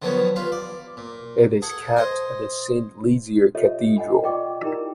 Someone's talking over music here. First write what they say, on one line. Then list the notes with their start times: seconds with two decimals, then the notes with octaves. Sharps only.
It is kept at the Saint-Lizier cathedral.
0.02 D3 D#3 F3 F#3 B3 C#4
0.36 G3 F4 B4 F5
0.52 D5
0.97 A#2
1.62 G#4 A4 F#5
1.96 C5 D#5 G#5
3.55 F4 G4 A4 C#5 D#5 E5
3.97 D#5 F#5 G#5 B5
4.23 F4 D5 D#5 G5 C#6 D6
4.62 D#4 E4 G4 A#4 G5 A#5